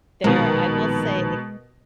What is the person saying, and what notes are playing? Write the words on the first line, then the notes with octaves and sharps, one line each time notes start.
There I will say
A#1 B2 D#3 G#3 A#4